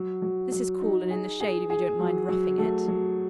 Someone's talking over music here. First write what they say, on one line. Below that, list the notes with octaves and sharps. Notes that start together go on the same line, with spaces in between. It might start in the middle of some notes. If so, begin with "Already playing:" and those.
This is cool and in the shade, if you don't mind roughing it.'
Already playing: F#3
F#3
F#3
D#4
G#4
G#4
G#4
F#3
F#3
A3
F#3